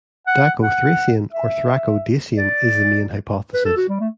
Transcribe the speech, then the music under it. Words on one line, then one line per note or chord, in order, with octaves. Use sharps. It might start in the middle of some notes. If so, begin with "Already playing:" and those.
Daco-Thracian or Thraco-Dacian is the main hypothesis.
F#5
F#5
E5
D5
B4
A4
F#4
G3
A3